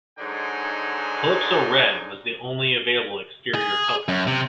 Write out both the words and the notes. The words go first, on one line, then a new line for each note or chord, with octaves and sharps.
Calypso Red was the only available exterior colour.
G#2 D3 F#3 D4 D#4 G#5
G#4
F#2
C3